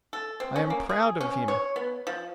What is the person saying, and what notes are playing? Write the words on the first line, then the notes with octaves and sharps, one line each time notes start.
I am proud of him.
A4
C4
C#4
A#3
G#4
C#4
C#5
B3
F3